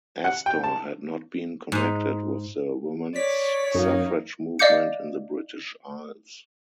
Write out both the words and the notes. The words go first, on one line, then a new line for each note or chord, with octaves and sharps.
Astor had not been connected with the women's suffrage movement in the British Isles.
F#5
G5
A5
G#2 D#4
C#5 D5 B6
F#2 A#3 D#4
D5 D#5 F5 D6 G6 C#7